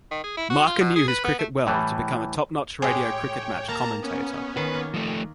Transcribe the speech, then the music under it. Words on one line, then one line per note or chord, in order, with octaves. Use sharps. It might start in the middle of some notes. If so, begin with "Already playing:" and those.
Marker knew his cricket well to become a top-notch radio cricket match commentator.
D#3
G#4
E4
F#4
F4
B2
G#4
B4
B3
A3
A2 E3 G3
A2 G#3 G4 G#4 C#5 G5
A#3 A5 A#5
B3 C#4
D#3 B4
A#3
F3 A3